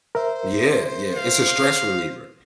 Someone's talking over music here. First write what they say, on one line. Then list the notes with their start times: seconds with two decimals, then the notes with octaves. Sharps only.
Yeah, yeah. It's a stress reliever.
0.15 A#4 C5 E5
1.16 F5